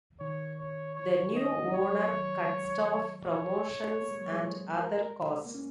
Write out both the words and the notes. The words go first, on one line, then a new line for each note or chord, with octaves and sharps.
The new owner cut staff, promotions and other costs.
D#3 C#5
C#5
C#5
D#4 D#5
C#4
A#3
G#3
F#3 C#5
F#3
D#3
G#3
C#5
A#3
G#3
F#3
G#3
A#4
A#3
C#4